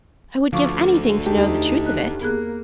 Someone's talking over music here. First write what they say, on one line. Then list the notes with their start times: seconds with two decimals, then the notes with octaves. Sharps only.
I would give anything to know the truth of it.
0.53 D2 F3 F5 C#6 D6
1.26 E2 D#4 G4 A5
1.86 F#6
2.21 A#3 B3 G#4 F#6